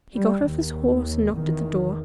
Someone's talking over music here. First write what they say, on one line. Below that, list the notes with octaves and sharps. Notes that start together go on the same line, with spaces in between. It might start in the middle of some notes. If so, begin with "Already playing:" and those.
He got off his horse and knocked at the door.
G3
D#2
E2 D#3